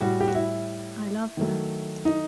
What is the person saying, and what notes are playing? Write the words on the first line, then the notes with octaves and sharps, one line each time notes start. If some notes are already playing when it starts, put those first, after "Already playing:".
I love her.
A2 G3 F#4
G4
F#4
E4
D#3 F#3 A3
D#4